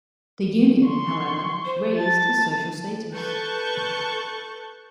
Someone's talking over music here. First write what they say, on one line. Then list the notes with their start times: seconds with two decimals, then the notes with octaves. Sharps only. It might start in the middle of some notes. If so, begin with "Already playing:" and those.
The union, however, raised his social status.
0.84 C6 C#6
1.65 C5
1.98 A5 A6
3.12 A4 B4 A5 C#6 F#6 G6